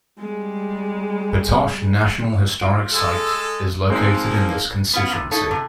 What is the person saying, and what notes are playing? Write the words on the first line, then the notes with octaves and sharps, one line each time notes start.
Batoche National Historic Site is located in this constituency.
G3 G#3
F4 D7
G#3 G#4 A4
F3 G#3 A#3 C4 D#4
B3 C#4 F4 F#5
C3
D#4 E4 A4 C#5
C3